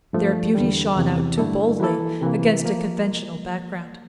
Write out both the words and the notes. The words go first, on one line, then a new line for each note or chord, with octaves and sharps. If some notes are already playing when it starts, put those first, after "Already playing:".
Their beauty shone out too boldly against a conventional background.
G2 F3 A3
E2 D3 G3
E2 C3 E3
G2 D3 A3 E4 A4
E3 A#3 E4 A4
C3 E3 A#3
F3 A#3